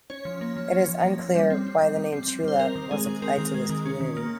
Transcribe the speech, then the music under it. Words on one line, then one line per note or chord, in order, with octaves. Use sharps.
It is unclear why the name Chula was applied to this community.
C#4 C#5
F3
A#3
F3
C#4
F3
A#3
F3
G3
C4
C4
G3
G3
C4
C4
G3 C5
C4 A#4
D#3
G#3 G#4
D#3
C4 A#4
D#3
G#3
D#3
C#4
D#3
A#3